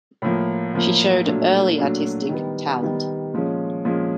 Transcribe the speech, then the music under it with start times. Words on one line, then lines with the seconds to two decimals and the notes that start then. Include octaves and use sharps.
She showed early artistic talent.
0.22 A2 F3 A#3
0.73 A2 F3 A#3
1.26 A#2 F#3 A3 D4
1.77 A#2 F#3 A3 D4
2.29 D#3 G3 B3
2.82 D#3 G3 B3
3.34 A#2 F3 G#3 C#4
3.85 A#2 F3 G#3 C#4